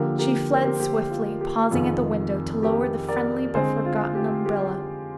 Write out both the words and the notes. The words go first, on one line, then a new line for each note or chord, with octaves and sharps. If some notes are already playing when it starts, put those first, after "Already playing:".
She fled swiftly, pausing at the window to lower the friendly but forgotten umbrella.
Already playing: D3 F3 A#3 G4 A#4
G4 A#4
A#4
C5
G4 A#4
G4
F4
G4
F2 C3 D#3 F4 G#4
G4 A#4
A#4 D5
D3 G#3 C4 G#4 C5
F4
G4
G4